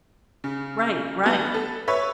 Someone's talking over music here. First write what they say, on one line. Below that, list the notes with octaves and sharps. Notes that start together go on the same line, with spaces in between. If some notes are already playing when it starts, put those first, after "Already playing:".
Right, right.
C#3
G3 B3
A4
B4 C#5 E5